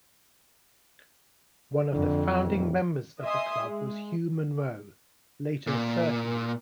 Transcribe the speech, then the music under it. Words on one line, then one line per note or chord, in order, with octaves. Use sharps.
One of the founding members of the club was Hugh Munro, later Sir Hugh.
F2 D3
D#1
D#5 E5 G#5 C6 D#6
G#3
A#2